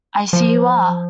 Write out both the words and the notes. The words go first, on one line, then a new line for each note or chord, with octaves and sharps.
I see you are.
F3